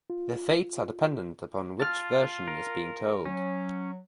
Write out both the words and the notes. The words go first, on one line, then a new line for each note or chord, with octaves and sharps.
Their fates are dependent upon which version is being told.
F4
F4 A5 F6
A#4
F#3 C#4